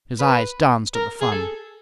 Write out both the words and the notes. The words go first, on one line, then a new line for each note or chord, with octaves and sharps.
His eyes danced at the fun.
B4
A#4
G#4
A4